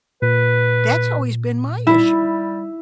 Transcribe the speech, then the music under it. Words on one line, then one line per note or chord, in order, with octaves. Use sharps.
that's always been my issue.
A#2 B4
G3 E4